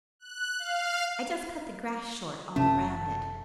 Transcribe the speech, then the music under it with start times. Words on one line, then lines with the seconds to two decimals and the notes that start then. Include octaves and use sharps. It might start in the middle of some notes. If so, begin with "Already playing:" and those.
I just cut the grass short all around it.
0.20 F#6
0.59 F5
2.56 F#1 C3 A3 C#4